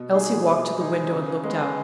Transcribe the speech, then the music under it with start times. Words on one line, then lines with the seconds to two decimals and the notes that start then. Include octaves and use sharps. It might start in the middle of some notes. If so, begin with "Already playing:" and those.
Elsie walked to the window and looked out.
Already playing: B2
0.13 G#3 D#4 G#4
0.46 B2
0.78 G#3 D#4 G#4
1.12 C#3
1.44 G#3 B3